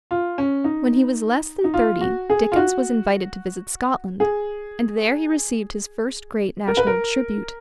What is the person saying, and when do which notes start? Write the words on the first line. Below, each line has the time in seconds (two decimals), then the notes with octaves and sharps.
When he was less than thirty, Dickens was invited to visit Scotland, and there he received his first great national tribute.
0.11 F4
0.38 C#4
0.64 D#4
1.64 D#4
1.74 F4
2.01 F#4
2.30 G#4
2.52 F4
2.56 F#4
4.20 G#4
6.67 A#4
6.77 B4
6.87 A#4